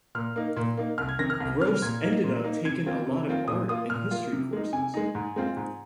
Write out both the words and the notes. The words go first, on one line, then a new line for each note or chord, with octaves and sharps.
Gross ended up taking a lot of art and history courses.
A#2 F6
A#3 D#4
A#2
A#3 D#4
C2 F6
G#6
C3 D#3 A#6
F6
C2
C3 D#3 F6
A#2 G#6
A#3 D#4
A#2
A#3 D#4
C3 G#6
D#3 C4 F4
C3
D#3 C4 F4
A#2 D#6
A#3 F4 D#6
A#2 F6
A#3 F4
C3
G#3 D#4
C3 G#5
G#3 D#4
G#2
G#3 C4 F4
G#2